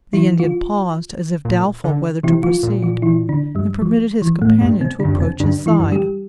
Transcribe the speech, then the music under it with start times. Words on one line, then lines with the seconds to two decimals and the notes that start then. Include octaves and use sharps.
The Indian paused, as if doubtful whether to proceed, and permitted his companion to approach his side.
0.13 E3 E4
0.39 F3 F4
1.45 A#2
1.84 D3
2.23 C3 E3 E4
2.43 F3 F4
2.63 A#2
2.82 F3 F4
3.02 E3 E4
3.29 D3 D4
3.55 G2 G3
3.82 F3
4.22 E3
4.41 A2 A3
4.61 G2
4.81 C3 C4
5.00 D3 D4
5.05 G2
5.13 F2
5.20 C3 C4
5.40 G2 D3 D4
5.66 E3 E4
5.80 G2
5.92 G3 G4